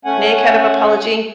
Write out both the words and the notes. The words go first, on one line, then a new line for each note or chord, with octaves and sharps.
in any kind of apology?
A3 C#4 F#5 G#5